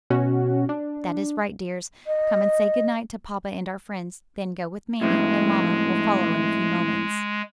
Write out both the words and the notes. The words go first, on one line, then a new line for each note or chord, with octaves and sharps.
"That is right, dears; come and say good-night to papa and our friends; then go with mammy and mamma will follow in a few moments."
B2 C#4 F#4
D4
D#5
F2 A2 G#3